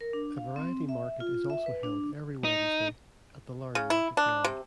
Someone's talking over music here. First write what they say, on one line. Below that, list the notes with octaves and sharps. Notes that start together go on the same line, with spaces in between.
A variety market is also held every Wednesday at the Larne Market Yard.
A#4
D4
F5
C4
E5
F4
E5
B4
D4
D#4
C#3
E4
D4
C3